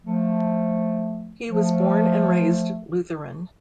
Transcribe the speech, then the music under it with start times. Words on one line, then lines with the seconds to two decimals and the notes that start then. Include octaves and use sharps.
He was born and raised Lutheran.
0.04 F3 A3
1.50 F3 A3